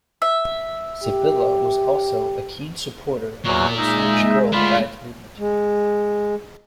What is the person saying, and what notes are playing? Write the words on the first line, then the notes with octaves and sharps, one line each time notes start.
Sibylla was also a keen supporter of the Swedish Girl Guides movement.
E5
G4
E2 A#2 F#3 F#4
G#3 D#4 E5
A3 D4 F4 B5
G#3